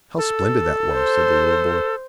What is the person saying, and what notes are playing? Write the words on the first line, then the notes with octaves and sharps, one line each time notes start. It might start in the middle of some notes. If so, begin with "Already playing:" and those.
"How splendid that was!" said the little boy.
A4
C5